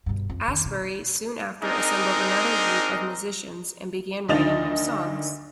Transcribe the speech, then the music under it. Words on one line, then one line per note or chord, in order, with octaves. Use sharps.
Astbury soon after assembled another group of musicians and began writing new songs.
G2 B2
F2
F2 D#3
B2
C4 D4 D#4 G#4 A#4 D#5
D2 D#3 D4 D#5 A6 F7